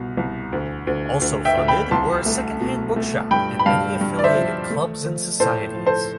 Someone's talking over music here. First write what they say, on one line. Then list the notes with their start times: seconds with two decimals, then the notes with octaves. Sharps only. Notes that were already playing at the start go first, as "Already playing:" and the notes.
Also funded were a second hand bookshop and many affiliated clubs and societies.
Already playing: C2 B2
0.17 C2
0.52 D2
0.87 D2
1.21 D2
1.45 E5 G5
1.57 D2
1.68 G5 B5
1.91 C2 A5 C6
2.26 A3
2.61 B2
2.96 A3
3.31 G2 G5 B5
3.59 B5
3.66 G2 F5 A5
4.01 G2
4.19 D5
4.24 C5 E5
4.35 F3
4.70 A3
5.05 F3
5.40 A2 A4 C5
5.75 F3
5.86 A4 C5